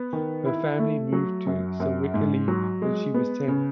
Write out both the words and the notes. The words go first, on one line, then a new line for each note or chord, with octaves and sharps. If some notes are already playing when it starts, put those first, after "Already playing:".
Her family moved to Sewickley when she was ten.
Already playing: B3
D#3
E4
A3
F#3
F#2
F#2
G#2
F#3
G#3
B3
C#3